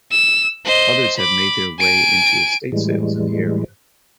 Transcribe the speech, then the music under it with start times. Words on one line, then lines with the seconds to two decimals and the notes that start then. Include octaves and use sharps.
Others have made their way into estate sales in the area.
0.12 E6
0.65 C5 D#5
1.17 B5 D6
1.80 G#5 D7
2.72 A2 E3 G3 G#3